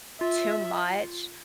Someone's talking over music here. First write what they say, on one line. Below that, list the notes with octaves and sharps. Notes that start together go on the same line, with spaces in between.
too much
F4 E5